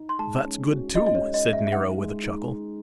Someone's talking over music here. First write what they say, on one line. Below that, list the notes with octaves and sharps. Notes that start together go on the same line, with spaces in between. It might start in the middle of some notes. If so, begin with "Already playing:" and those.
"That's good too," said Nero, with a chuckle.
Already playing: D#4
C6
G#3 A5
C#4
F#4
C#4 D#5
D#5
C#5
G#3
D#5
G#3
E5
E5
D#4 F#5
G#3
D#4
D#4